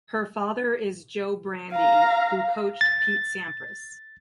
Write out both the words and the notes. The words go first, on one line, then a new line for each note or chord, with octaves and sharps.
Her father is Joe Brandi, who coached Pete Sampras.
F5 A#5
A6